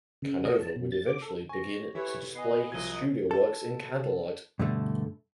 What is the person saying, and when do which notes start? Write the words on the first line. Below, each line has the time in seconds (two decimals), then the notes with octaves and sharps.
Canova would eventually begin to display his studio works in candlelight.
0.22 C#3
0.45 D#5
0.60 A5
0.76 B2
0.92 A6
1.06 D6
1.22 A4
1.49 G#5 C#6 A#6
1.95 E3 E4 G4 A4 B4 C#5
2.35 B3 D#5 G#5 C7
2.72 C2 F3 F#3 D#5 G#6
3.31 A4
4.59 G2 B2 D3 A3